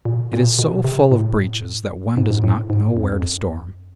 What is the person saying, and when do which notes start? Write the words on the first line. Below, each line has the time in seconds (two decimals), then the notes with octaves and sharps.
It is so full of breaches that one does not know where to storm.
0.05 A#2
0.19 B2
0.33 A#2
0.59 B2
0.84 C3
1.12 A2
2.17 G#2
2.30 G#2
2.44 A2
2.70 G#2
2.97 F2
3.12 F2
3.23 F#2